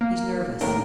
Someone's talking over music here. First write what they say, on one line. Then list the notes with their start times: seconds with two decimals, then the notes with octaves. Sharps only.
He's nervous.
0.01 A#3
0.61 D#2 A2 D4 A#4